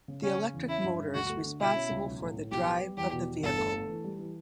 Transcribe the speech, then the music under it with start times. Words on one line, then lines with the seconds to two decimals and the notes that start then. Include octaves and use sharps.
The electric motor is responsible for the drive of the vehicle.
0.08 C#3
0.23 C#3 C#4
0.38 C#3
0.54 E2
0.69 C#4 E4
0.84 G2
1.00 G2
1.14 D2 F#4
1.30 A3
1.45 D3
1.60 B2 E4
1.75 C#4
1.91 C#2
2.06 B1
2.21 A2
2.37 A2
2.51 B1 G4
2.66 B3
2.82 G3
2.97 E2 G4
3.12 B2
3.28 E2
3.43 G1 A4
3.58 A3
3.74 A3
3.89 E3
4.04 G3
4.19 E3